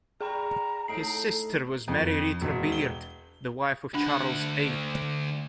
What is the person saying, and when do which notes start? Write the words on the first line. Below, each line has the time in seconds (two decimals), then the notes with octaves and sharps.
His sister was Mary Ritter Beard, the wife of Charles A.
0.21 G#4 G5 A#5 B5
0.88 A2 D#4 C7 D7
1.88 F2
2.41 E1
2.72 G7
3.94 D2 D4 F#5